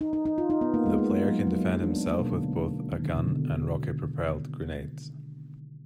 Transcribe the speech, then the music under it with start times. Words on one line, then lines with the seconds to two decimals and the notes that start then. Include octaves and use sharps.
The player can defend himself with both a gun and rocket-propelled grenades.
0.01 D#4
0.13 D#4
0.26 D#4
0.38 F4
0.50 D#4
0.61 B3
0.74 A#3
0.86 G#3
0.93 B3
0.98 A#3
1.10 G#3
1.28 F#3
1.47 F#3
1.59 G#3
1.71 A#3
1.83 D4
1.95 B3
2.07 A#3
2.19 B2
2.31 D3
2.43 D3
2.92 D#3
3.04 D3
3.16 B2
3.28 D3